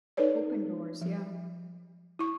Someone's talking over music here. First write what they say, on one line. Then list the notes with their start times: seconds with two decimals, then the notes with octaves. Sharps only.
Open doors, yeah.
0.17 D#4 A4 B4 C#5 D5
1.01 F3
2.19 E4 C#6